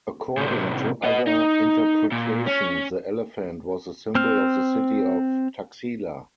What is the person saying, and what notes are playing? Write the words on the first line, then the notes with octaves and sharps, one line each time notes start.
According to other interpretations the elephant was the symbol of the city of Taxila.
A2 C3
B3 D#5
D#4
A#2
C#4
C4 F6